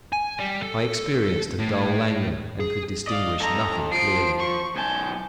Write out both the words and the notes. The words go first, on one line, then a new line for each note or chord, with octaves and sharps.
I experienced a dull languor and could distinguish nothing clearly.
G#5
G3
A4
A2
G#4
D5 D#5 F5
A4 D#5 A#5
F3 C7 D7
C#6
B1 G#5 A5 G6